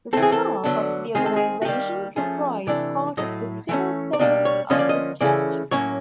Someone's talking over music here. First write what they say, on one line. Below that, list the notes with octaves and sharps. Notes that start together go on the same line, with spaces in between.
The staff of the organisation comprise part of the Civil Service of the State.
E3 A3 C4 A4
G#4
A4
D3 F#3 B3 D4
D#3 G#3 C4 G#4
A4
G#4
F#4
D#3 G3 A#3 G4
F3 A3 C#4 G#4
C3 E3 A3 D4 D5
A2 F#3 A3 D#5
E3 A3 C#4
D5
B2 G3 A#3 D4 D#5
C#5
D3 F3 A#3 C#4 D#5
D5
D#5
C#3 E3 A3 C#4 D5
A2 F#3 A#3 C#4 C#5